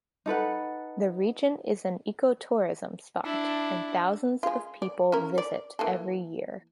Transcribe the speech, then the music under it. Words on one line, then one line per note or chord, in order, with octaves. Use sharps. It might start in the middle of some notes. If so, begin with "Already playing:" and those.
The region is an eco-tourism spot, and thousands of people visit every year.
D#4 A4 B4 F#5
D4 E4
G#3 F4
D5
C#4 E4 A#4
D5
E3 A#3 A4